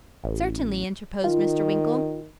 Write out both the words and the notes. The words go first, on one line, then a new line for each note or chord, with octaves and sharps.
'Certainly,' interposed Mr. Winkle.
A1
D#3 F4